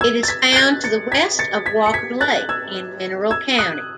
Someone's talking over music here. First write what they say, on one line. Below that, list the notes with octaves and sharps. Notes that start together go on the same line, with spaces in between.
It is found to the west of Walker Lake in Mineral County.
E6 G#6
A6
G#6 B6
G#6
F#6 A6
A6 C#7
G#6 B6
A6 C#7
G#6 B6
C#7
G#6 B6
F#6 A6
E6 G#6
E6 G#6
D#6 F#6